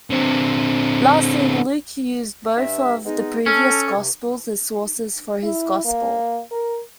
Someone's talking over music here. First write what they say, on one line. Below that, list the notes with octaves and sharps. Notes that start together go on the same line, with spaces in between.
Lastly, Luke used both of the previous gospels as sources for his Gospel.
D3 C4
G2 E5
G#3 B3 D#4
C#4 A4
G2 C3
E4
A#3
A#4